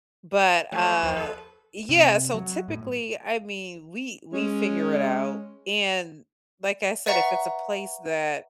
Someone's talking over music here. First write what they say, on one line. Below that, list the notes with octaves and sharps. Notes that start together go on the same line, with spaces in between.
But, uh, yeah, so typically I mean we we figure it out and, like I said, if it's a place that
F#3 A3
D#2 F3
A4 B4
C3
F#3
A2
G#3 C#4
B4 D5 E5 F#5 A#5 C#6